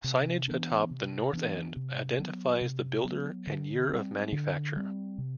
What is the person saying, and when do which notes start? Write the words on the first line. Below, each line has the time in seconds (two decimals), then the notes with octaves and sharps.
Signage atop the north end identifies the builder and year of manufacture.
0.04 C3
0.48 E3 B3 D4
0.91 C3
1.33 E3 B3 D4
1.76 C3
2.19 F#3 B3
2.61 C3
3.04 F#3 B3
3.47 D3
3.89 G3 C4
4.32 D3
4.76 G3 C4
5.18 C3